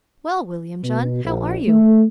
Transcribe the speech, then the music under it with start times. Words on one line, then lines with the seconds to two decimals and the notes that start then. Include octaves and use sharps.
"Well, William John, how are you?"
0.83 B2
1.24 A#1
1.67 A3